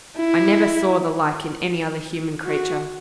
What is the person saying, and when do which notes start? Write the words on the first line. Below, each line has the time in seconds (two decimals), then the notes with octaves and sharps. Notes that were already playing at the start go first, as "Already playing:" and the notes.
I never saw the like in any other human creature.
0.17 E4
2.46 F#4